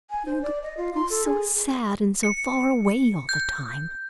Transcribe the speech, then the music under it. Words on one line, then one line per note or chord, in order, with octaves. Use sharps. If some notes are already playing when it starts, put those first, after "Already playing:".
But you look--oh, so sad and so far away all the time!
G#5
C5
D5
D#5
F4
C6
A4
G#4
C#7
G6